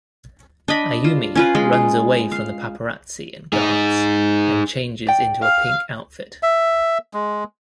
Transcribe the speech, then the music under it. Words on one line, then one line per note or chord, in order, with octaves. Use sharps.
Ayumi runs away from the paparazzi and guards and changes into a pink outfit.
D4 D#5 B5
F4
C#4 F4 B4
G#3
F4
F5
D#4 G#4
D5 G5
F5
E5
G#3